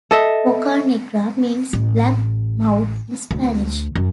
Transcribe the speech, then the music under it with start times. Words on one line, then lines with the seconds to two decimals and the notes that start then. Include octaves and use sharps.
"Boca negra" means "black mouth" in Spanish.
0.11 A4 D#5 E5
1.73 A1
3.31 D2
3.95 F#2